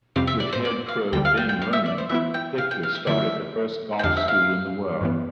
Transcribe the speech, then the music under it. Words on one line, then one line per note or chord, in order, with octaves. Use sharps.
With head pro Ben Roman Victor started the first golf school in the world.
F2 C3 G3 C4 G4 F5
E5
D5
C5
D5
F5
D2 D3 G3 G5
F5
G5
G5
F5
E5
D5
C5
E3 B3 E4 E5
G5
F5
G5
F5
E5
D3 F3 A3 E4 E5
G5
F2 D3 G3 D4 F5
E5
F5
G2 E3 B3